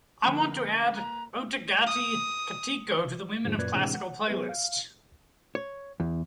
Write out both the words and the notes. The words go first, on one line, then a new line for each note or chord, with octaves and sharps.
I want to add Ottagathai Kattiko to the women of classical playlist.
D3 F3 A#3 C#4 B4
A#5 F#6
D#6
E2 G#2 D3 F3 G#3
F#2 A#2 B4 D5 F#6 G#6
A2 C3 E3 G#3 C4 D4
F#5
F#3 B3 G#4 B4
F5
C#5
E2